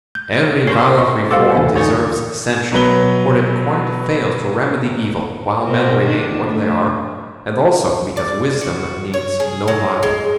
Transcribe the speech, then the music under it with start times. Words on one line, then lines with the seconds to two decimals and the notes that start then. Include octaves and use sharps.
Every violent reform deserves censure, for it quite fails to remedy evil while men remain what they are, and also because wisdom needs no violence.
0.15 G6
0.67 C#4 A#4 C5 C7
0.98 D#5 C6 C#6
1.31 G3 A4 C5 F5 F#5 D6 E6
1.55 E1 D2 E5 G#5
1.76 D#4 A4 C#5
2.71 B2 F#3 B4 G7
5.64 B2 C4 A#4
6.02 D#3 D4
6.46 A3
8.17 D5
8.61 F#4
9.14 C#5
9.40 G#4
9.68 F#3
10.03 G#3